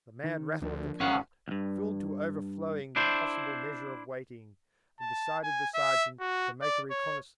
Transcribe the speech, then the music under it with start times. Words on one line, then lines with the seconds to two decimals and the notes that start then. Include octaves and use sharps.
The mad rattle of the cart, filled to overflowing the possible measure of waiting, and decided the sergeant to make a reconnaisance.
0.24 D#3
0.62 D2 F3 A#3 D4
1.00 G#1 C#4 F5 F#5
1.48 B1 G2
2.96 D4 E4 C5
5.00 A5
5.44 G#5
5.75 E5
6.20 F#4
6.62 D5
6.91 C#5